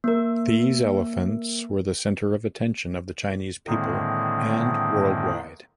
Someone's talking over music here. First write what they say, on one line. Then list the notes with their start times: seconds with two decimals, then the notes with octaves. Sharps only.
These elephants were the center of attention of the Chinese people and worldwide.
0.04 A#3 A#4
3.67 A2 D3 D#3 G#3 A#3 C4